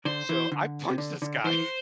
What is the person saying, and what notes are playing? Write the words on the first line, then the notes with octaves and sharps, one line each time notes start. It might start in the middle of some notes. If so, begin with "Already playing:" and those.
So, I punched this guy,
D3 C5
E3
D3
C3
D3
D3
E3 C5